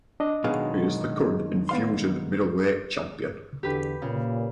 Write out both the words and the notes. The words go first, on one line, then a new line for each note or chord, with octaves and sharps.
He is the current Enfusion Middleweight Champion.
D4 D#5
B2 D#3 F#3 G#3 G#4 F5
B3 F5 C6
E2 D3 G4 B4
A#2 C#3